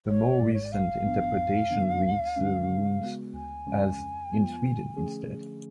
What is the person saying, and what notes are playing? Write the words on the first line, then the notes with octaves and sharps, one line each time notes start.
A more recent interpretation reads the runes as "in Sweden" instead.
G#1 C#5
G#2 G#3 D5
C#5
D5
A1 F5
G#2 F3 B3 D4
F2
D3 F3 B3 D4
D2
D3 F3 G#3 C#4
C#3
G#3 B3 F#4
D2 G#5
C#3 F3 G#3 C#4
F2
F3 B3 F4
D3
F3 A3 C#4 G#4